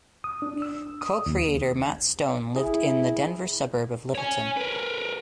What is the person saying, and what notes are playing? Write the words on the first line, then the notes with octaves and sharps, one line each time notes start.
Co-creator Matt Stone lived in the Denver suburb of Littleton.
D#6
D4
E6
D#6
D#2
E4 G#4
C#5 G#5
A#4 B4